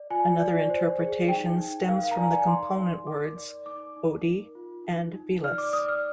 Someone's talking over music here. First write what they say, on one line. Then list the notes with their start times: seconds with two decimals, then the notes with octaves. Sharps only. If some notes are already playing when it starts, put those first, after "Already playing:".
Another interpretation stems from the component words: "odi" and "velas".
Already playing: D5
0.10 F4 G#5
0.40 D5
0.70 C5
0.99 G#4
1.28 D#4 G5
1.59 D#4
1.88 A#4 F5
2.03 F5
2.11 A#5
2.18 D5 G#5
2.33 G#5
2.47 D#4 C6
2.77 D#4
3.07 A#4 D6
3.36 D5
3.66 D#4 D6
3.96 D#4
4.25 A#4
4.55 F4
4.84 D#4
5.15 D#4
5.44 D5 F6
5.58 D6
5.73 D5 D#6
5.89 F6